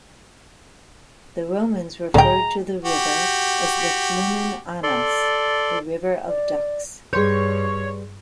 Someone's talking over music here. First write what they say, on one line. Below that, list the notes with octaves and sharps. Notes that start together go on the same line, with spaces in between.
The Romans referred to the river as the Flumen Anas, the "river of ducks".
C2 A2 D3 G#3 G5 A#5
F#4 G4
A4 D5 C6
D5
G2 G3 G#4 B4 C#5 C6 G6